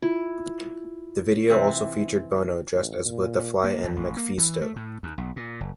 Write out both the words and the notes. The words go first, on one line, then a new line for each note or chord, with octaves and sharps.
The video also featured Bono dressed as both "The Fly" and "MacPhisto".
E4 F4
C3 E3 C4
A1
A#2
A#3
E2
A1
A#3
E3
A3
A2
D#2
B1
A#2
F#1